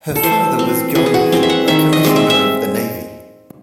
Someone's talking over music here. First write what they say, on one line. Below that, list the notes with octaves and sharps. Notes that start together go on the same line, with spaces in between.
Her father was John Hill, a Commissioner of the Navy.
A4
E3 C5
C4
E3 G#4
G#4
F#4
C4
E5
F#5
D#3 E5
D#5
G#3 C4
E5
E5